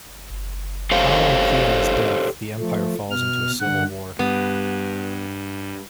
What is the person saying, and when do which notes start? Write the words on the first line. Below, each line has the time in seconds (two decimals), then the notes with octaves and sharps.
Following Cleon's death, the Empire falls into a civil war.
0.91 G4 A4 C5 C#5 F5
2.59 F3 A3
3.11 B2 F6
3.61 G2 D3 F#5
4.19 G2 B3